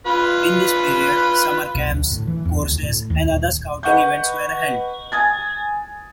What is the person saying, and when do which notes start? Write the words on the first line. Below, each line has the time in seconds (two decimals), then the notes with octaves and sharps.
In this period, summer camps, courses and other Scouting events were held.
0.06 F4 B4 B5
1.75 B1
1.91 D2
2.11 A2
2.27 E3
2.45 E2
2.62 D2
2.83 A2
3.10 D#2
3.31 D#1
3.83 B4 D#5 F#5 C#6 G6
5.12 G#5 D#6 G#6 A6